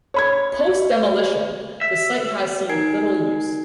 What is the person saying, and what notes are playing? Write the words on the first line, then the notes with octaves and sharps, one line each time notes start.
Post-demolition, the site has seen little use.
C#5 B5 G#6
E5
D#4 A#4 G#5 G#6 C7 D7